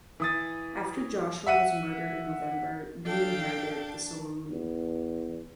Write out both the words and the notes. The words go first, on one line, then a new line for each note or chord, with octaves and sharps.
After Joshua was murdered in November, Bean inherited the saloon.
E3 D#6 A6
E5 F#5 D#7
D4 A4 F5 G5 A5
E2